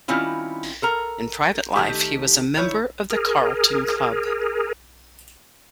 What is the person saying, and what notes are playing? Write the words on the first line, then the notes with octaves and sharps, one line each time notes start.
In private life he was a member of the Carlton Club.
D#3 G3 C4 C#4 E4 F4
A4 A#4 A#5
D#3 A3 G4
D#3 E4 C#5
G#4 A#4